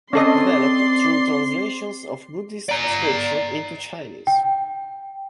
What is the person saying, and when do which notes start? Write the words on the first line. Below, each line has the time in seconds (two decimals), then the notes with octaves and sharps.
It developed through translations of Buddhist scripture into Chinese.
0.13 C4 C#4 A4 D5 D#5 C6
2.69 D5 A#5
4.27 G5